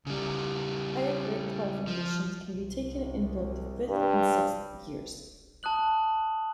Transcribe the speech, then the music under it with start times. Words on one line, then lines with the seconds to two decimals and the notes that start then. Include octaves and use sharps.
Higher Grade qualifications can be taken in both the fifth and sixth years.
0.07 C#3 G3
1.87 F3
2.54 C2
3.89 G2
5.63 A5 D#6 F#6 F#7